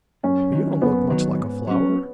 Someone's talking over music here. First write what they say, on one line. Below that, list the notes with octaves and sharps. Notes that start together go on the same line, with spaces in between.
"But you don't look much like a flower."
F#2 C#4
D#3 F#3
F#2 B3
D#3 F#3
G#2
F#3 C#4